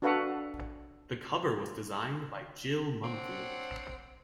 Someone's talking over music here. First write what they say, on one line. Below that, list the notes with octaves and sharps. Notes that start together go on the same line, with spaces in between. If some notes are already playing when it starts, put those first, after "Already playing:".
The cover was designed by Jill Mumfield.
D4 F#4 A4 B4 F5 F#5
C4 D4 C#5 F#5